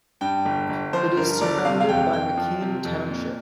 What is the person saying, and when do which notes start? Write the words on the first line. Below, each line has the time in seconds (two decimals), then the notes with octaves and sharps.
It is surrounded by McKean Township.
0.21 G2 G5
0.45 G1
0.69 G1
0.93 F3 C5
1.17 G2 A#4
1.41 G1 D5
1.65 C3 F5
1.80 F5
1.89 F2 G5
2.13 F2 G5
2.37 F3
2.61 C3
2.85 F2
3.09 A#2